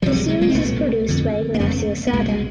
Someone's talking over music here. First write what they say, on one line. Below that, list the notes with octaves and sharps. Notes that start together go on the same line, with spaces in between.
The series is produced by Ignacio Sada.
C#2 C3 F3 G3
F#3 G#3
F#3 G#3
G#3 A#3
C4
C2 A#2 A3 B3
F2 D3
A#3
F2 C#3 A3 B3
B3
C2 B2 G#3 A#3
G#3